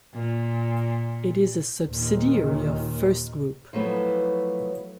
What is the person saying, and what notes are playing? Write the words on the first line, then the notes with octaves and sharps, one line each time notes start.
It is a subsidiary of FirstGroup.
A#2
D#2 A#2 D#3
F3 F#3 A3 B3 E4